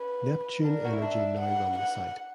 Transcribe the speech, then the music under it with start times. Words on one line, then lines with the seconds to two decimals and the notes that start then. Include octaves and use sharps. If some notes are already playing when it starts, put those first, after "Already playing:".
Neptune Energy now run the site.
Already playing: C#4 B4
0.63 D4 A#4
0.85 F#4
0.93 E4
1.02 D4 E5
1.40 F#5
1.78 F#5